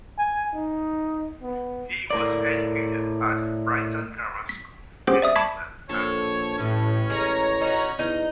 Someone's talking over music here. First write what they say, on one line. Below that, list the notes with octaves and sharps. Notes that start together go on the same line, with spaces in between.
He was educated at Brighton Grammar School in England and Lewes.
G#5
D#4
B3
A2 A#4 D5
B6
B3 C#4 G4 G#4 C5
D5 E5 D#6
A5 B5 C#6 D6 G#6 B6
A#1 A4 C#5
A1 A2 C#4
G#3 C#5 A#5
C#4 D#4 F#4
E2 D#4 D#5